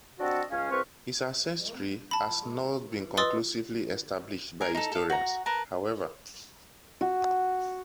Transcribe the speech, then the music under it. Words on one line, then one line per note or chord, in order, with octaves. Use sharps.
His ancestry has not been conclusively established by historians, however.
C4 D4 F#4 A4 D#5 F#5
C#2 C#4 F5
C2 C4 B4 F5 C#6
A5 B5
B4 D#5 C6 D#6 E6 A6
A#4 G#5
D#4 A4
A4 F5
F#4 A#5
A#4 B4 A5
F#4